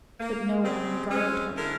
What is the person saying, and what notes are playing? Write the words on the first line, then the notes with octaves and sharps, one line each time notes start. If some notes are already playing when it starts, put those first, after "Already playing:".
But no one regarded her.
A#3
C#3 G#3 C4
G#3 C4 C#4
D3 G#3 C#4 E4 A#4